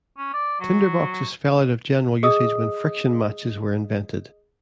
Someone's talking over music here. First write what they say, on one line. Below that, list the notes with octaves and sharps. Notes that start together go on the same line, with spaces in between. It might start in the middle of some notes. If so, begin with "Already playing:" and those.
Tinderboxes fell out of general usage when friction matches were invented.
C#4
D5
F#3
G#4 D#5 D#6 E6